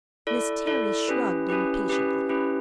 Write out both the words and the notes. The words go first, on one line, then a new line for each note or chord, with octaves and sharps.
Miss Terry shrugged impatiently.
E4 A4 D5
E4 A4 D5
C#4 E4 G4 B4
C#4 E4 G4 B4
C#4 E4 G4 B4
C#4 E4 G4 B4